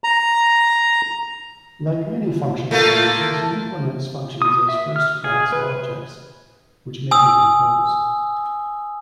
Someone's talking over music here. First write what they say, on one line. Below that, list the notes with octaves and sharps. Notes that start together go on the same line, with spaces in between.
Like many functional languages, it implements functions as first-class objects, which may be composed.
A#5
A3 A#3 F4
D#6
E5
F6
G#4
B4
G#5 D#6 E6